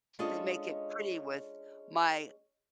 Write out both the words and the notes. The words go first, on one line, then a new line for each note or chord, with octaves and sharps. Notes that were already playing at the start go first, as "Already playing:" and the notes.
then make it pretty with my
G#3 C#4 D4 F4 A4 D#5